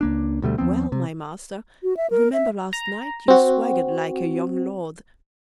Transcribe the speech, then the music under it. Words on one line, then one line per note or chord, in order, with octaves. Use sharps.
Well, my master, remember last night you swaggered like a young lord.
C#2 A#3 D4
D2 B2 G3 A3
D#2 F3 B3 C4
C3
F#4
E5
A#4
E5
A#5
C4 F#4